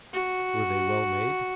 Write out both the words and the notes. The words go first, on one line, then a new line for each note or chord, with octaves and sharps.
Were they well made?
F#4